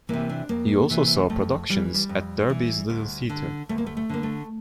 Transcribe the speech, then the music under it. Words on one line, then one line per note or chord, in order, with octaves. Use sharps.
He also saw productions at Derby's Little Theatre.
C3 E3 A#3
D4
F2 A#3
C3 E3
F2 A3
E3 G3
G3
F2
E3
D2
D3
D2 A3
A#3
A3
A3
D3 A#3
A3